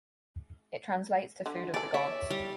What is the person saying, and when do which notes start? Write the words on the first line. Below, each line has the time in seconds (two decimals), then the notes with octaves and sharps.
It translates to food of the gods.
1.46 D3
1.74 E3 A4 D5
1.94 C#5 E5
2.30 G3